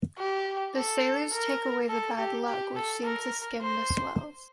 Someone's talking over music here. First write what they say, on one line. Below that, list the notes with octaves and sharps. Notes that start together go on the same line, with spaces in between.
The sailors take away the bad luck which seemed to skim the swells.
G4
A4
A#4
A4
G4
G4
A4
A#4
C5